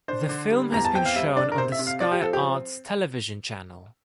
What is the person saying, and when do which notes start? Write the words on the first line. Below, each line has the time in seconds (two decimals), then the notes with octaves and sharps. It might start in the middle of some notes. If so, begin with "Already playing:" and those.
The film has been shown on the Sky Arts television channel.
0.08 D4 C5
0.29 D3
0.51 G3
0.72 E2 A#5
0.85 A5
0.93 C4 G5
1.05 F5
1.16 G3 E5
1.36 D4 D5
1.52 A#4
1.58 C3 C5
1.72 E5
1.79 C3
1.87 F5
2.00 F3 D5
2.12 G4
2.22 C4 A4
2.33 G4